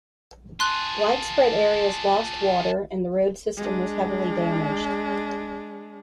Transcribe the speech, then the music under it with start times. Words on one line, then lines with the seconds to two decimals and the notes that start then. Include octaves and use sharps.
Widespread areas lost water, and the road system was heavily damaged.
0.60 F4 G#4 A5 C6 F#6
3.56 G#3 D4